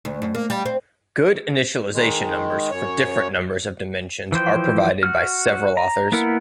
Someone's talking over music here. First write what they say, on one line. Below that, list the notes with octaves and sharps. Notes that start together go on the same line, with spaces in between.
Good initialisation numbers for different numbers of dimensions are provided by several authors.
D2
F#2
A#3
G3
C4
D#3 G#3
F#2 C#5
E3 F3 C5 G5
F#4 F6
A#5
A#3 B3 E4 A#4 F#5